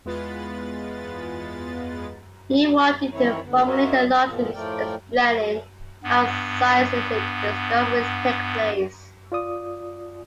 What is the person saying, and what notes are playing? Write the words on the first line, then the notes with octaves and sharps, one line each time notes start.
He wanted to formulate a logic explaining how scientific discoveries take place.
E2 G#3 B3 F4 B4 A6
D#3 E3 C4 E4 C#5
D#2 D3 B3
F4 F#4 A#4 C#5 D#5 E5
E2 A#2 F3
A2 F3 A3 A#4 D5 G5
G2 B3
F4 D5 D#6